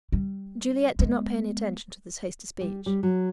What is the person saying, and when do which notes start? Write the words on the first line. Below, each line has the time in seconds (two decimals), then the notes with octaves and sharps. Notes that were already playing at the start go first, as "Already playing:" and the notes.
Juliet did not pay attention to this hasty speech.
0.12 G3
0.99 G#3 B3
2.61 G3
2.86 G3
3.03 F#3